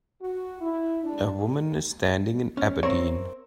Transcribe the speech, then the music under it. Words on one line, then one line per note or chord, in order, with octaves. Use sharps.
A woman is standing in Aberdeen.
F#4
E4
D4
C#4
C4 A#4 C#5 E5